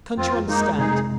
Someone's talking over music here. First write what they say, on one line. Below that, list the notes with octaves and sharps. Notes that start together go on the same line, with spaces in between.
Can't you understand?
F2 C4 F4
G#3 A#3 D#4
C3 D#4 G#4